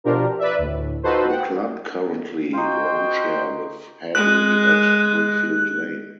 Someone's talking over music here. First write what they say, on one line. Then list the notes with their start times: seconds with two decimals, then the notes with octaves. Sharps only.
The club currently groundshare with Hadley at Brickfield Lane.
0.04 B2 F3 D4 F4 G4 A#4
0.39 B4 D5 E5
0.58 D2 A2
1.03 D#4 F4 F#4 A4 B4 C5
1.27 F#5 G5
2.53 D#4 F4 F#4 C5 G5
4.15 G#3 F#6